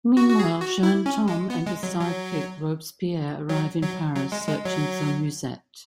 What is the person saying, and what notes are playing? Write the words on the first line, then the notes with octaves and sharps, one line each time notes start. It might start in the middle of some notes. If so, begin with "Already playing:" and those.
Meanwhile, Jaune Tom and his sidekick Robespierre arrive in Paris, searching for Mewsette.
F#4
F#4
G#4
F#4
E4
C#4
G#3
B3
G#3
F#3
F#3
F#3
F#3
F#3
G#3
G#3
F#3